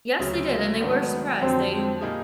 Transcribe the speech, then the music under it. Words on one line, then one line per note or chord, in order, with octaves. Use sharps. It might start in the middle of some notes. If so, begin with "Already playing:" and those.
Yes, they did and they were surprised. They
D2 C#3 F#3
A#3
G#2 D#3 F#3 A3 B3 D4
F2 D3 F#3 C4
C4
A#2 G3 A#3 D#4 G#4